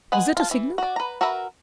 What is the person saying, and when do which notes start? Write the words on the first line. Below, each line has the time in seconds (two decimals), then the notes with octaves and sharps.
Was it a signal?
0.12 G#3 B4 F#5 G#5
0.37 F4 A5
0.51 E3
0.78 F#4 D5
0.96 B4 A#5
1.21 F#4 A#4 B4 E5 A#5